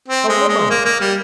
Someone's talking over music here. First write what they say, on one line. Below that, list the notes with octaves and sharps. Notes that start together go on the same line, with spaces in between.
The woman!
C4
G#3
G#3
A#3
A#3
G3